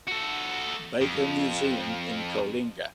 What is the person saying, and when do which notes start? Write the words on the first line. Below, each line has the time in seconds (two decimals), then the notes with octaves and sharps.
Baker Museum in Coalinga.
0.07 F#4 A4
1.01 F2